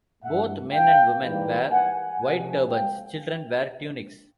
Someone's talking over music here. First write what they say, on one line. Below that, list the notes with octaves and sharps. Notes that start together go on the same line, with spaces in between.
Both men and women wear white turbans; children wear tunics.
G2 E3 A3 E5 F#5
F5 G5
G#2 E3 G3 A#3
F#5 G#5
C#2 C3 F3 A3 F#5 G#5
F5 G5